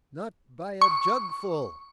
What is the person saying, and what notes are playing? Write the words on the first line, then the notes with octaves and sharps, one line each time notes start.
"Not by a jugfull!"
C#6